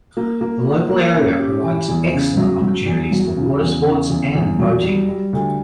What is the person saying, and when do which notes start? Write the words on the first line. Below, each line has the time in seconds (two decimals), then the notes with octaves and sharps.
The local area provides excellent opportunities for watersports and boating.
0.17 A#3
0.41 A#3
0.65 A#3
0.89 A#3
1.14 C#4
1.39 G4
1.64 E3
1.88 E2
2.14 C#3
2.37 F#3
2.62 F#3
2.86 E2
3.12 F#3
3.36 C#3
3.61 E2
3.85 C#3
4.10 E2
4.35 E2
4.59 F#3
4.83 G3
5.09 G3
5.33 D2